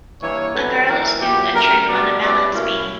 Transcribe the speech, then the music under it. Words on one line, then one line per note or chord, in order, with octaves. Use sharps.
A girl is doing a trick on a balance beam.
G2 E3 A#3 C#5
G2 D3 F#3 B3 D4 B4
E3 A#3 E4 A#4
A#2 F#3 B3 E4 G4
F#2 D3 G3 A#4
B2 G3 B3 D4 D5
B2 G3 C#4 E4 D5
B2 A#3 C#4 E4